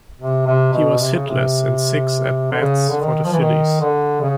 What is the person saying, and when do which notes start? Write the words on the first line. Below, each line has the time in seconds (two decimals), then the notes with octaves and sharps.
He was hitless in six at-bats for the Phillies.
0.20 C3
0.46 C3
0.73 B2
1.00 C3
1.14 C#3
1.27 C3
2.52 D3
2.61 C#3
2.89 D3
3.00 D#3
3.25 F3
3.33 E3
3.40 D#3
3.81 D3
4.20 C#3